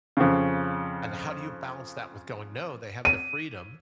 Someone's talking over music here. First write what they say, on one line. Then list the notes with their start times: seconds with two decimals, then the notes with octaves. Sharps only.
And how do you balance that with going, "No, they have the freedom
0.17 F2 C#3
3.05 D#7